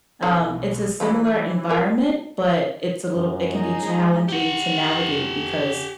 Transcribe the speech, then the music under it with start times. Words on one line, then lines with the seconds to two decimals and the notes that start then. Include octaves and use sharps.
um, it's a similar environment, but it's a little it can be challenging to navigate because
0.22 B1 D#4 A4 F5
1.00 E3 F3 A3 E4
1.69 F4 A#4 G5
3.14 F#2
3.53 G#3 D#4 G#4
3.86 F3
4.28 G4 F#5